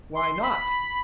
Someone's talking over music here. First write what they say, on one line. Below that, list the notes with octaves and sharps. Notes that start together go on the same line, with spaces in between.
Why not?
C6
B5